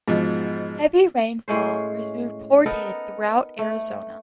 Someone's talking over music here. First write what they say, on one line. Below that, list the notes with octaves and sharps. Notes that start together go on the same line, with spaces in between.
Heavy rainfall was reported throughout Arizona.
G#2 B2 F3
A2 G#3 C#4 C5
B3 D#4 A4 A#4
A3